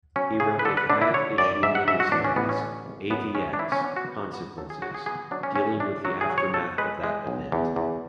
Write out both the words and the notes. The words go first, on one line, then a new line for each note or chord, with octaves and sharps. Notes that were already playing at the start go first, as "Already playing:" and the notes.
He wrote a five-issue miniseries "AvX: Consequences", dealing with the aftermath of that event.
F#3 C#4
C#3 G#4
B4
D3 A4
B4
D3 D4
E4
D3 C#5
F#2 D5
G#2 E5
F#5
G#2 E5
F#4
A1 D4
C#4
A1 B3
C#4
D3
G#1
F#2 B3
G#3 C#4
D4
E3 E4
C#4
B3 D4
F#4
B3
B3
F#3 A4
G#4
F#3 F#4
G#4
B3 G#4
F#3 D4
C#4
A3 C#4
A3 D4
F#3 F#4
G#4
F#3
C#5
B1 A4
G#3 B4
G#3
B1
E2
E2